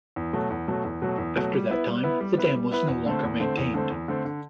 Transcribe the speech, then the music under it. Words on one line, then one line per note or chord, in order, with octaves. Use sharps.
After that time, the dam was no longer maintained.
E2
B2 F#3 A3
E2
B2 F#3 A3
E2
B2 F#3 A3
E2
B2 F#3 A3
G3
B3 E4 B4
G3
B3 E4 B4
G3
B3 E4 B4
G3
B3 E4 B4
E2
D3 A3 C4
E2
D3 A3 C4
E2
D3 A3 C4
E2
D3 A3 C4
D3